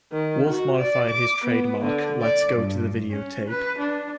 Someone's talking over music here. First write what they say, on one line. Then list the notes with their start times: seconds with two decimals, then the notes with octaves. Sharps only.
Wolf modified his trademark Let's go to the videotape!
0.11 D#3
0.49 F#4
0.79 D5
1.09 D6
1.44 B3
1.84 D3
2.22 D5
2.57 G2
3.11 C#4
3.48 B4
3.78 D4